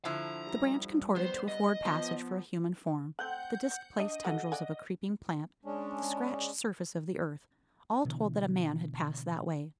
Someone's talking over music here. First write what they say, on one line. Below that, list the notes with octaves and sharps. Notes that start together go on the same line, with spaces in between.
The branch contorted to afford passage for a human form--the displaced tendrils of a creeping plant-- the scratched surface of the earth--all told that a man had passed that way.
D3 F3 E4 A#5
G3
B3 C5
D#5
F3 B3
A3 C4 F#5 G6
D4 D#5
D3 F#4 F#5
D5 F#5 G#5
G#3 C#4 D4
B2 D3 E3